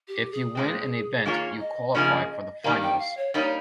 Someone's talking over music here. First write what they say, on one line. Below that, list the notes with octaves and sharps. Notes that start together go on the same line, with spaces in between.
If you win an event you qualify for the finals.
G4
G#4
A#2 G#3 C4
D#3 A#3 F4 G#4 C#5
D#5
C#3 F3 A#3 F4 G#4
D#3 G3 A#3
G5
F5
C#5
G3 A#3 D#4 C#5